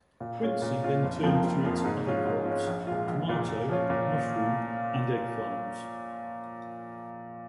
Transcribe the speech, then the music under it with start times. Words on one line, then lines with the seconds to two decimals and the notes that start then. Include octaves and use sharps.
Quincy then turned to its other crops, tomato, mushroom and egg farms.
0.20 A#2
0.41 G#3 C#4 F4
0.62 A#2
0.82 G#3 C#4 F4
1.03 F1
1.23 F2 F3 A#3 F4
1.44 F1
1.64 F2 F3 A#3 F4
1.84 G#2
2.05 G#3 C#4 F4
2.26 G#2
2.46 G#3 C#4 F4
2.67 A#1
2.87 A#2 G#3 F4
3.08 A#1
3.28 A#2 G#3 F4
3.49 A#2
3.69 F3 C#4 F4
3.90 A#2